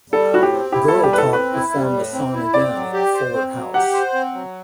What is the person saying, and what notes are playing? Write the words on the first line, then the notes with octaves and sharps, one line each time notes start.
Girl Talk performed the song again in "Fuller House".
G3 A4
A2 F#4
G4
C4
E4 G4
G3 A4
G4
A2 B4
A4
C4 B4
E4
G3
A2
C4
E4
C4 D5
F#3
G4
C5
C4
F#3
G4 F#5
C5
C4
F#3